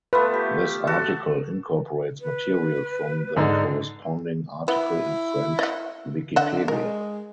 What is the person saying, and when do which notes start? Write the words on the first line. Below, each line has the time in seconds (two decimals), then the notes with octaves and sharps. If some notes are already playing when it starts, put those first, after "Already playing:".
This article incorporates material from the corresponding article in French wikipedia.
0.13 A3 B3 F4 B4
0.34 G4
0.87 F#4 A4
2.21 B4
3.36 G#2 D3 D#4
4.68 B3 E4
5.59 D#5 F#5
6.36 D3 D#5 E5 F#5
6.68 G#3 A#4